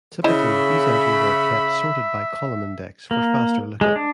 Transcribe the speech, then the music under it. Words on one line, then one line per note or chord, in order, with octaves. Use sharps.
Typically, these entries are kept sorted by column index for faster lookup.
C#3 E4 C5 D#5 E5 B5
A#3
G#3
D4